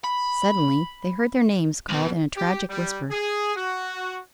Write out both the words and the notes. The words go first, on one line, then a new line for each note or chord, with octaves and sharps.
Suddenly they heard their names called in a tragic whisper!
B5
C2 B2
G4
G3
G#4
F#4